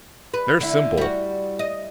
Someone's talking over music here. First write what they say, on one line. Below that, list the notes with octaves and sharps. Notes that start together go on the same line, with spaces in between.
They're simple.
B4
D3 E4
G3 F#4
D#5